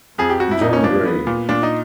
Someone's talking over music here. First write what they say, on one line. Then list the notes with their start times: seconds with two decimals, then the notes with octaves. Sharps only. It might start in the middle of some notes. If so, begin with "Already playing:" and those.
John Gray.
0.18 F2 G#4
0.30 G4
0.40 F2 F#4
0.51 E4
0.61 F2 D#4
0.73 C#4
0.83 F3 D4
1.05 B3
1.27 A#2
1.49 A#2 D4
1.63 D#4